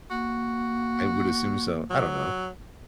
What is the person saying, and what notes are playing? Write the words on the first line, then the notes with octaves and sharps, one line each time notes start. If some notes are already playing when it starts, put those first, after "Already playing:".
I would assume so, I don't know.
A#3 F#4
F#3